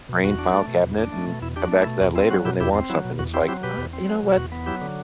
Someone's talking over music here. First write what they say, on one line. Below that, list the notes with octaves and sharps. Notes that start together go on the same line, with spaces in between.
brain file cabinet and come back to that later when they want something," it's like, "I you know what?
B2
E2 F#4
D4
A3
B2
E2
D4
A3
B2
E2 E4
D4 G4
F#4
A3
E4
B2
E2 F#4
C4 E4
F#3 F#4
B2 E4 G4
E2 E4 G4
C4
F#3 E4
B2
E2 F#4
C4 E4 G4
F#3 E4 G4
B2 G4 B4
E2
C4
F#3
B2
E2 F#4
B3
F#3 E4 G4
D3